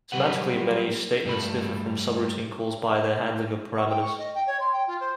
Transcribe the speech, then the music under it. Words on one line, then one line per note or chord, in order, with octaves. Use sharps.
Semantically many statements differ from subroutine calls by their handling of parameters.
F#3 G3 G4 B4 F#5
G2 G3 A3 B5
C#6
G5
C#6
D#5
G5
C#5
C6
G5
F4
C5